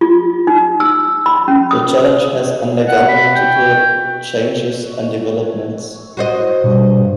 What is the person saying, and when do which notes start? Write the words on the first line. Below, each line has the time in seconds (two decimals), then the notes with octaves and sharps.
The challenge has undergone multiple changes and developments.
0.01 F4
0.47 D#4
0.80 E6
1.26 B5
1.48 C#4
1.71 D#6
2.88 F#5
3.09 B5
3.35 G5
6.17 F#4 C5 D#5
6.64 G2 B2